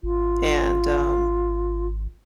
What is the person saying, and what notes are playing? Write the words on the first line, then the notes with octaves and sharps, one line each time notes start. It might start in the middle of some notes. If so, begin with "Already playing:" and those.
and, um,
G#1 F4